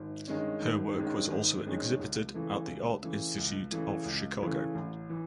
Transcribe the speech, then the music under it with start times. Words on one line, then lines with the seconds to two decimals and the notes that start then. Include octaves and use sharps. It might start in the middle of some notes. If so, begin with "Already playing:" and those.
Her work was also exhibited at the Art Institute of Chicago.
Already playing: G#1
0.28 G2 D#3 G#3 C#4
0.62 G#1
0.97 G2 D#3 G#3 C#4
1.31 G#1
1.65 G2 D#3 G#3 C#4
2.00 C#2
2.34 C#3 E3 A3
2.68 C#2
3.02 C#3 E3 A3
3.37 C#2
3.72 C#3 E3 A3
4.05 C#2
4.40 C#3 E3 A3
4.75 A1
5.09 E3